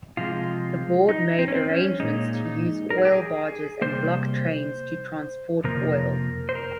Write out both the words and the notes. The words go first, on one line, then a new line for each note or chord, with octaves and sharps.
The board made arrangements to use oil barges and ‘block’ trains to transport oil.
C3 F3 G#3 F4
D#4
C4
C#4
C4
C#4
A#2 G#3 D#4
D#4
A#4
G#4
G4
G#4
C3 G3 A#3 C5
F2 C3 F3 A#3 A#4
C5
A#4